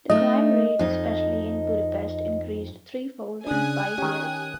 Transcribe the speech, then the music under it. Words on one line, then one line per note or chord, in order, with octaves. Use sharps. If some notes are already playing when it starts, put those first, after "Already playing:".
The crime rate, especially in Budapest, increased threefold in five years.
A3 D#4 D#5
F2 D#4
C#3 D4 G#5 D#6 F#6
D#3 C#4 G4